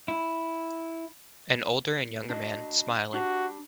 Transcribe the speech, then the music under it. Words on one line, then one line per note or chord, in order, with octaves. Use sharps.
An older and younger man smiling.
E4
D4 F#4 D#5
D4 F#4 G4